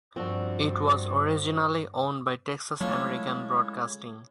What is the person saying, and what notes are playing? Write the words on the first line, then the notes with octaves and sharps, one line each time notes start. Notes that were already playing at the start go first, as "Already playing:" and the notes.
It was originally owned by Texas American Broadcasting.
G2 F3 C4 D4 F#4
F#3 G#3 A3 C#4 E4 F4 A4